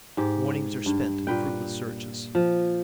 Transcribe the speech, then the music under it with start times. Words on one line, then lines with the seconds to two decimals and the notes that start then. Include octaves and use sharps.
Mornings are spent in fruitless searches.
0.17 G#2 G4
0.86 G2
1.27 A#2 B4 G5
2.35 F3